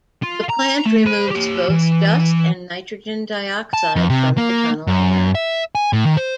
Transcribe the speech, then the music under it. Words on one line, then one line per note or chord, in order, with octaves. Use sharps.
The plant removes both dust and nitrogen dioxide from the tunnel air.
F4
A#5
A3
C5 B5
G4 C#5
E3
A5
F2
C3
A#3
F#2
E5
G#5
A2
D#3
C5